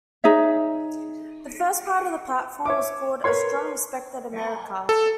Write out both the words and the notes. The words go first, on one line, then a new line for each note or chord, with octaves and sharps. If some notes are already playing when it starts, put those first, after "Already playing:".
The first part of the platform was called "A Strong, Respected America".
D#4 G#4 C#5 E5
C#5 E5 D6
A#4 B4 C#5 C6
A4